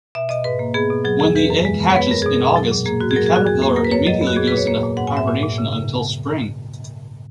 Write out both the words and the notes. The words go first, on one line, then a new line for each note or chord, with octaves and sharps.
When the egg hatches in August, the caterpillar immediately goes into hibernation until spring.
B2 E5
B2 D#5
G#2 B4
A#3
B3 G#4
B2
F#3 G#4
E2 G#4
E3 B4
F#2
G#3
B3
C#5
B3 B4
F#2 A#4
B2 G#4
A#4
B2
F#3
A#2
A#3 G#4
G#2 F#4
G#4
F#3 A#4
G#4
F#3 F#4
E2 G#4
A#3
A#3 A#4
B4
F#2 C#5
F#3 D#5
B3
F#4
A#2 G#4
B4
A#2 C#5
A#3 C#5
A#2
G#2 F#5
G#5
G#2 E5
A#2
A#2
C#3
C#3